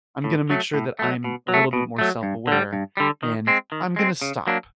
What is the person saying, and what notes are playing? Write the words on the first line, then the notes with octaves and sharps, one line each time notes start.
I'm gonna make sure that I'm a little bit more self-aware, and I'm gonna stop.
A2
F#3 A3
A2
F#3 A3
B2
F#3
A3
B2
F#3 A3
G2
D3 G3
G2
D3 G3
D#3
G#3 C4
D#3
G#3 C4
C#3
F#3 A#3 D4